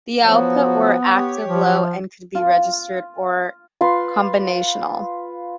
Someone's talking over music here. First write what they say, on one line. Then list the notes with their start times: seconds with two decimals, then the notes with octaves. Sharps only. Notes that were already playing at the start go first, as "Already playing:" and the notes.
The outputs were active low and could be registered or combinational.
0.23 F3 F#3 B3 F#4
1.13 G4 C#5
1.46 F3
2.35 F4
3.81 F4 B4 C6